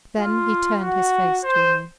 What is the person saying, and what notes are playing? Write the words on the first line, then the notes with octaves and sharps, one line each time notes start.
Then he turned his face to me.
F4
F#4
C5